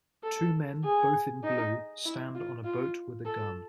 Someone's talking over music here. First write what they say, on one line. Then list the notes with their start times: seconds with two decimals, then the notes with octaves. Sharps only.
Two men, both in blue, stand on a boat with a gun.
0.23 A4
0.84 G#4
1.44 D#4
2.05 E4
2.35 F4
2.64 F4
3.25 A4